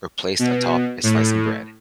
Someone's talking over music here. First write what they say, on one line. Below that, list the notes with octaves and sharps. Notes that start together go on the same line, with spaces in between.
or placed atop a slice of bread."
B2
A2